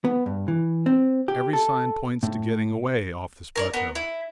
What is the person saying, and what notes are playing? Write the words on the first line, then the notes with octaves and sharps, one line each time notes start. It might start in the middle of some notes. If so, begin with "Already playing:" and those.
Every sign points to getting away off this plateau.
B3
G2
E3
C4
G4
A4
A2
A#4 C#5 D5
B3 A#4
E4